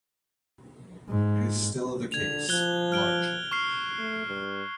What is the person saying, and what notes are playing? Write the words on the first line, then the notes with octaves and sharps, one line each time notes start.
It is still the case, largely.
G#2
D3 G#6 F7
F3 F#6 G#6 G7
F6 D7 G7
C#6 F6 C7
A3
G2